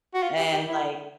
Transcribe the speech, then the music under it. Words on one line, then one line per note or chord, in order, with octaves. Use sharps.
and, like
F#4
F4
G4
G4
E4